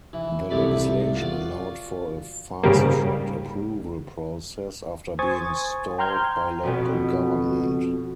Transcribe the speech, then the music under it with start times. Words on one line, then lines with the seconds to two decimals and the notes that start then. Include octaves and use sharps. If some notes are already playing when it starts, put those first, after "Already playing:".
The legislation allowed for a fast-tracked approval process after being stalled by local government.
0.13 E3
0.50 C2 A2 C3 D5 B5
1.15 F4 F#4 D5
2.63 G#2 C#3 G3 A#3
5.19 C5 G#5 C#6 D#6 G#6 A6
5.98 G5 A#5 C6 F6 G6 G#6
6.63 F2 B2 C#4 F#4